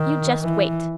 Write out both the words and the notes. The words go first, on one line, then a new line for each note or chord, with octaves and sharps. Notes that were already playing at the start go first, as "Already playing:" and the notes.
"You just wait!"
Already playing: D#3
E3